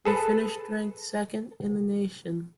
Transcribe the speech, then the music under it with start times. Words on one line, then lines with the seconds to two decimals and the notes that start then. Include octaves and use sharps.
They finished ranked second in the nation.
0.05 G#4 A4 B4 A5